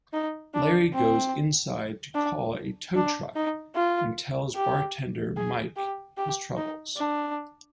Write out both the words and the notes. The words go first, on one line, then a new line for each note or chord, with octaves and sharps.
Larry goes inside to call a tow truck, and tells bartender Mike his troubles.
D#4
D4
C4
D4
D4
D#4
F4
G4
G#4
G4
G4
D#4
D4